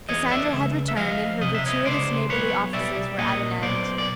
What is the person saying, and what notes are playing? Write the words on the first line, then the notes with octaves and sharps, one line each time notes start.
Cassandra had returned, and her gratuitous neighborly offices were at an end.
E2 C#5 D#5
D5 E5
C#2
E5
F3 D#5 F5
C3 D#5
E5
C#5 D#5
C#2 C5 D5
B1 B4 C#5
G3 D5 E5
A#2 C#5 D#5
B1 C5 D5
D5